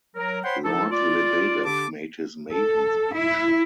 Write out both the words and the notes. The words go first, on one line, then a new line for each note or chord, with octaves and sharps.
Lord Lebedev made his maiden speech.
F#3 A#4
C5 C#5 F#5 G5 B5 C6
F3 D#4 E4 A4
F4 D5
D3 D4 G4 A5 D6
A4
E4